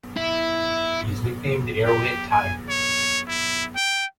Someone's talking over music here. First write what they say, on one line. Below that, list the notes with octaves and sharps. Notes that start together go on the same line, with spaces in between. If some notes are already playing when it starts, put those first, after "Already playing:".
He is nicknamed "Arrow-hit Tiger".
E4
G4
G#5
C#5
E4
G5